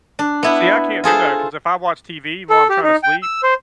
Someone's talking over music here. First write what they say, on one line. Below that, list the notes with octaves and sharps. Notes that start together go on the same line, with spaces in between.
See, I can't do that, 'cause if I watch TV while I'm trying to sleep,
D4
B3 E4
F4 G#4 A4 C5
A4
G4
D#4
G5
E6
C5